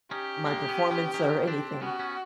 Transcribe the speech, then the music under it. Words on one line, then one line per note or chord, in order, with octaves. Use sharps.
my performance or anything.
C#4 D#4 G4
G#3 A#3
B3 C#4
B3 C#4
C#4 D#4
C4 D4
B3 C#4 F#4
B3 C#4